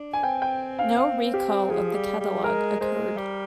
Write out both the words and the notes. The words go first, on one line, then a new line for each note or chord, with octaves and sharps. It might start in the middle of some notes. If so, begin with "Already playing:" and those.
No recall of the catalog occurred.
Already playing: D4
G#5
C4 G5
G5
F5
F5
G4
F3 G#4
G3
G3
G#3 A#4
G#3 C5
G3